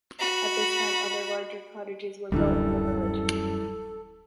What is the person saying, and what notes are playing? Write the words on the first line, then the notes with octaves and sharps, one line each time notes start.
At this time, other larger cottages were built in the village.
F#4 B5
D1 F#2 D3 E3 G3 A4